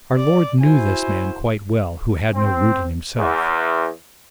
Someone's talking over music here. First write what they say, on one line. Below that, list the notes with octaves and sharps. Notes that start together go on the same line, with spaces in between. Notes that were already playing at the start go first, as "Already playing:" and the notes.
Our Lord knew this man quite well who had no root in himself.
D5
E4 F#4 C5 G#5
C4
E2